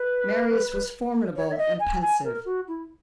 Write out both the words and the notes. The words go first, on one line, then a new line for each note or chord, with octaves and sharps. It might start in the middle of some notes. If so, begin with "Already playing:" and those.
Marius was formidable and pensive.
Already playing: B4
C#5
E5
D#5
G#5
G#5
A#4
F#4
E4